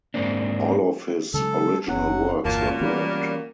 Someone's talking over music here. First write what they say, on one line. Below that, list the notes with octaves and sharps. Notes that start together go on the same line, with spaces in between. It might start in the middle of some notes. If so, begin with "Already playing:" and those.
All of his original works were burned.
G#2 A#3 C4 D4
C#3 F#3 G#3 A4
F#1 F#3 C#4 F#5
G1 E2 A#2 F#3 A#3 F5 A5
E3 G3 B3 C#4